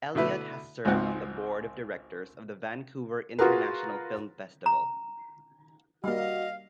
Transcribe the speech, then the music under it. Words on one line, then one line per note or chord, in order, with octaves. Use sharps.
Elliott has served on the board of directors of the Vancouver International Film Festival.
B2 D3 A3 E4 B4
G#1 C#2 G#2 F3 C4 F#5
F4 F#4 G#4 A#4 B4
A#5
G3 A#3 F#4 D#5 F5